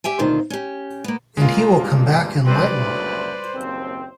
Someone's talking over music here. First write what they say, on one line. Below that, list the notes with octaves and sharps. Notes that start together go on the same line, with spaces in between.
And he will come back enlightened.
G4 E5 G5 G#5
D2 B2 D#3 C4 F4 C5
C#4 G4
A#3 B3
C#2 G#3 A#3 F4
G2
F#2 G3 C4 B4 C5 D5
F#1 D2 C5
F#1 D#2 C4